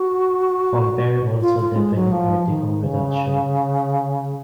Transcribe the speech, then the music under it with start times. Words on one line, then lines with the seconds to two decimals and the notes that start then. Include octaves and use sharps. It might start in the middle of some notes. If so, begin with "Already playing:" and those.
Compare also definite article reduction.
Already playing: F#4
1.41 F4
1.59 F4
1.76 G#3
1.95 F#3
2.12 F3
2.48 D#3
2.83 C#3